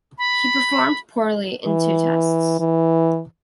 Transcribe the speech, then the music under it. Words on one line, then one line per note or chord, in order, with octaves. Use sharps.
He performed poorly in two tests.
B5
E3
E3